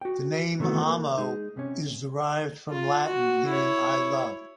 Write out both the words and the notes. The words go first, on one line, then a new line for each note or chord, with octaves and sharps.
The name Amo is derived from Latin, meaning "I love".
F#4 G5
C3 D#3 E3 A3 B3 F#4
A#3
G#3 D#4
C3 C#4
F4
F#4
E4 C#5